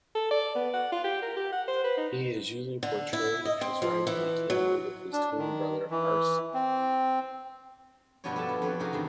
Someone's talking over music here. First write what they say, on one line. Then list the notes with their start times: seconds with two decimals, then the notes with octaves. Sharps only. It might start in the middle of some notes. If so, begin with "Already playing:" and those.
He is usually portrayed as riding a camel with his twin brother Arsu.
0.15 A4
0.31 D5
0.55 B3
0.74 F#5
0.92 F4
1.04 G4
1.22 A#4
1.37 G4
1.52 F#5
1.68 C5
1.84 B4
1.97 D#4
2.83 D3
3.13 E4
3.45 D#5
3.61 C4
3.82 F3
4.07 E3
4.50 F#3
5.13 D4
5.38 D#3
5.91 E3
6.54 C4
8.24 G2 B2 F3 B3 D4 C#5
8.36 B3 G4 A4 A5
8.49 F3
8.62 F2 B4 C#5 C6
8.80 C3 C#4 D#4 F#4 G#4 A#4
8.93 E2 G2 D#3